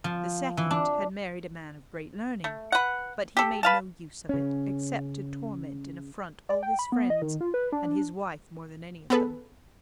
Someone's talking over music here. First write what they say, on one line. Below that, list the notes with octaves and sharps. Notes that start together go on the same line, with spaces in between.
The second had married a man of great learning; but he made no use of it, except to torment and affront all his friends, and his wife more than any of them.
F3
E3
D4
A3
B4 F#5
G4 A4
B4 F5 A5
C#3 C#4
D5
G5
B5
B3
D#5
D#3
F4
B4
D4
B3 G#4 A4 B4